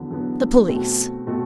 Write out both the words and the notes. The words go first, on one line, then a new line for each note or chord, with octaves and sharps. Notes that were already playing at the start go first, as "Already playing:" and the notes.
The police.
Already playing: E2 D3 F#3 B3
E2 D3 F#3 B3
B2 A3 C4 F#4
B2 A3 C4 F#4